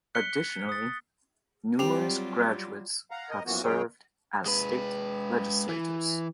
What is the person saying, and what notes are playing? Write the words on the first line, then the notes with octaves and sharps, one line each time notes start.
Additionally, numerous graduates have served as state legislators.
F#6 B6 C#7 G7
D#6 A6
F#3 G3 C4 F4 G4 F7
F5 F#5 A#5
A#4 D#5
F#2 E3 F3 A#3 B3 F#4
F#2 F#3 G#3 G#4 C#5 G5
G#3 B4
E3